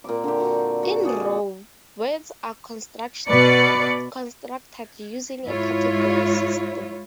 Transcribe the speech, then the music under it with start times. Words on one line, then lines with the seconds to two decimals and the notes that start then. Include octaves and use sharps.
In Ro, words are constructed using a category system.
0.04 A#2 C4 D6
0.24 D3 G4
0.40 F#4
0.83 F#4
1.03 F#4 G#4 D5
3.28 B2 B4 D5 C#7
5.45 G#2 E4 F4 C#5